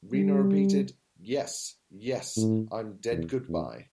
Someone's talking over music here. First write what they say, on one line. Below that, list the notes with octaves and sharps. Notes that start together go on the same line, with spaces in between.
Reno repeated, Yes, yes, I'm dead-good-by!
G3
A2
E2
E2